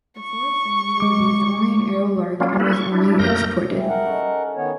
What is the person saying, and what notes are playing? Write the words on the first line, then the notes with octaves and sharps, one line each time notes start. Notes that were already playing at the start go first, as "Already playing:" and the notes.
The four-cylinder was used only in Aero Lark and was only exported.
C#6
G#3 D6
F#3 G3 A#3 C#4 F4
A#3 C#4 E4 A4 B4
C#6
D4 E4
F#2 A3 A#3 A#4 G6 A#6
E4 G4 G#4
A#4 F#5
C#4 D#4 A4
D#3 B3 C#5